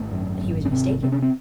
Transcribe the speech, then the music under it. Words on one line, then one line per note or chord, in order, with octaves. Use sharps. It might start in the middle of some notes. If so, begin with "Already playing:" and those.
But he was mistaken.
Already playing: G#1 A3
F#2
G#1
C#4
C3 C4
C3 C4
C#4
C4